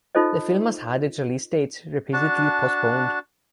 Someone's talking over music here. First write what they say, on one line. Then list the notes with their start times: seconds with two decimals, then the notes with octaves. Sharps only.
The film has had its release date repeatedly postponed.
0.15 D#4 F4 A4 C5 D#5
2.13 D4 F#4 A5